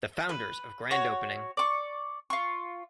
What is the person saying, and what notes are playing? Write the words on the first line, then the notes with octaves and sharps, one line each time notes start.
The founders of Grand Opening!
B4
F#4 C#5
D5 C#6
F4 C#6